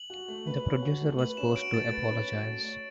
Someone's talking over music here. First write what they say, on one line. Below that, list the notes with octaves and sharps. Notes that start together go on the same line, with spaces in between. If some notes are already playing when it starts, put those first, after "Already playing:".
The producer was forced to apologize.
Already playing: F#7
F#4
A3
B4
C#4
F#4
A3
B4 F#7
C#4 E7
F#4 D7
A3 A6
B4 A6
C#4
F#4
A3
C#5